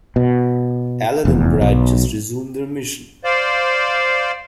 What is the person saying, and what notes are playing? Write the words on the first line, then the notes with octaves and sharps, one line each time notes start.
Allan and Brad just resume their mission.
B2
F1 E2
B1
C5 D5 F5